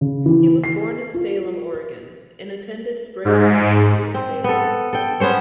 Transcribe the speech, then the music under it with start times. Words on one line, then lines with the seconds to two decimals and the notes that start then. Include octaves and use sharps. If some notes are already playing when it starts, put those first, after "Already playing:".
He was born in Salem, Oregon, and attended Sprague High School in Salem.
0.01 C#3
0.26 E3
0.64 C7
1.14 F4
3.25 G#2
4.14 C4
4.44 B3 A4
4.93 A4 G5
5.20 B3 C#4 C5 C#5